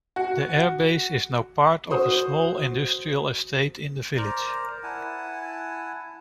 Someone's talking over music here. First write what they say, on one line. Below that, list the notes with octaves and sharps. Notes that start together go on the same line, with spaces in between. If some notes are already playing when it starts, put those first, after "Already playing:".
The airbase is now part of a small industrial estate in the village.
F#4
F#4 C5 D#6
A#4 C5 D5 A#5
E4 F#5 G#5 A5